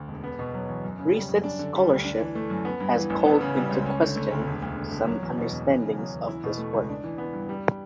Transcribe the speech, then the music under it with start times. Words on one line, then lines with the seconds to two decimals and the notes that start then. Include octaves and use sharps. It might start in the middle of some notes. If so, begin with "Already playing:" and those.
Recent scholarship has called into question some understandings of this work.
Already playing: D2
0.08 E1
0.24 B3
0.39 B2
0.54 F#3
0.68 E2
0.84 F#2
0.99 C#3
1.14 G3
1.28 F#2
1.44 D4
1.59 D3
1.75 G3
1.90 D2
2.04 D4
2.20 E3
2.35 A3
2.50 F#2
2.65 B3
2.80 G2
2.96 E3
3.10 A1
3.26 B3
3.41 C#3
3.56 G3
3.71 C#2
3.86 C#4
4.02 D3
4.16 A3
4.32 D2
4.47 E1
4.62 D2
4.76 D3
4.91 E1
5.07 F#3
5.23 E2
5.38 B2
5.52 E1
5.67 E2
5.82 C#3
5.98 F#3
6.13 E2
6.28 E4
6.43 B2
6.58 A3
6.73 C#2
6.89 D4
7.04 E3
7.18 B3
7.33 G2
7.49 G3